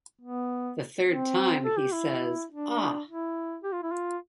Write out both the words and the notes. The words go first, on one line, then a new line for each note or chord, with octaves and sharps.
The third time, he says Ah!
B3
C4
A4
G4
E4
D4
E4
G4
F4
E4
F4